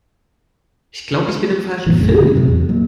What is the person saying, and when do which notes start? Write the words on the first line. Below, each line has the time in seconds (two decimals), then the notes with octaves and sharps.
Ich glaube, ich bin im falschen Film.
1.86 G2 A#2 E3
2.00 A#1 F#2 A2 C#3
2.19 C#3 F#3
2.36 A2 C3
2.48 E2
2.69 F#3 A#3